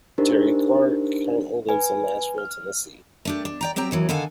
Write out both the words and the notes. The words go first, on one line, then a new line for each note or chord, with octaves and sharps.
Terri Clark currently lives in Nashville, Tennessee.
D4 D#4 G4 A#4 C5
B4 G#5
F6
A3 D4 G4
D4
D5 G5 A#5
F#3 C4 G4 G5 A#5
D#2 E3 F#3
D3 D#3 A4 F5 F#5 G#5